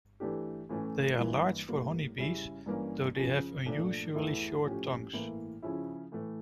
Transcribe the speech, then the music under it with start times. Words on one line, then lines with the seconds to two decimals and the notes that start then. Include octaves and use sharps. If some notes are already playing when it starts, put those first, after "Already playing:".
They are large for honey bees though they have unusually short tongues.
0.20 E3 A3 D4 G4
0.69 A2 E3 A3 C#4
1.18 G2 E3 A#3 E4
1.68 A2 G3 A#3
2.18 C#3 G3 C#4 E4
2.66 G2 E3 A#3 C#4
3.16 C#3 F3 C#4
3.66 A#2 F3 A3 D4
4.15 E2 E3 A3 E4
4.64 A2 F3 C#4 G4
5.13 A2 E3 A#3 E4
5.63 C#3 F3 C#4 E4
6.12 A2 E3 A3